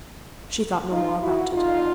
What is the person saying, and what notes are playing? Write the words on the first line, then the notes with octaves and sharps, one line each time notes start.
She thought no more about it.
D#4 F4
E4 F#4
F2 D3 D#4 F4